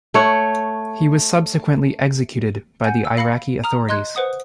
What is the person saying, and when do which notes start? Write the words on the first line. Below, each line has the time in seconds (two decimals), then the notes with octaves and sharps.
He was subsequently executed by the Iraqi authorities.
0.14 A3 C#5 F#5
2.84 F#5 G#5 G6
3.05 E6
3.17 F5 B5 A#6 C#7
3.64 A#5 D#6 F6
3.89 D#5 C6 F#6 G#6
4.16 B4 C5 F#5 D#6